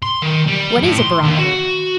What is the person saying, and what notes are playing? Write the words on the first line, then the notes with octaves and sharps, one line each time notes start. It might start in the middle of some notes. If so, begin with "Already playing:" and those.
What is a barometer?
C6
D#3
G3
A2
C6
D#2
F#4